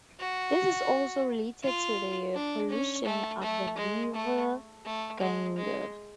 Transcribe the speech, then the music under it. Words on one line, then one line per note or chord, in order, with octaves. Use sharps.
This is also related to the pollution of the River Ganges.
F#4
F4
D4
C#4
A3
A3
G#3
A3
A3
G#3
G#3